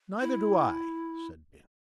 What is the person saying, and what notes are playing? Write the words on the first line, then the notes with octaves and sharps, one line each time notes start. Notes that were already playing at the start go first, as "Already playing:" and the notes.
"Neither do I," said Bince.
E4